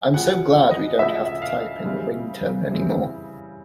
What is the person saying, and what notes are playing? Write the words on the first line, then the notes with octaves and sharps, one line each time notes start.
I'm so glad we don't have to type in a ring-tone anymore.
D2 C#3 F3 F#5
D#5
D2 C#3 F3 E5
F5
C#3 E3 G3 C4
C#3 E3 G3 C4